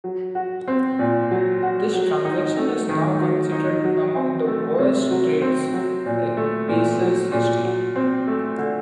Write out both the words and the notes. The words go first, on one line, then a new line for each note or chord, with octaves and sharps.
This transaction is now considered among the worst trades in Pacers' history.
F#3
F#4
C4
A#2
F#3
F#4
F#3
D#4
A3
D#3
F#3
D#4
F#3
C4
A3
C3
F#3
C4
F#3
A#2
A3
A#2
F#3
A#2
F#3
C4
A3
D3